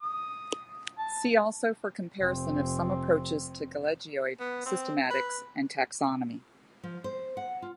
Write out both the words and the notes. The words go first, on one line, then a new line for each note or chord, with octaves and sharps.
See also for comparison of some approaches to gelechioid systematics and taxonomy.
D#6
A5
F1 C4
B3
C4
B4
F3
C5
F#5
F4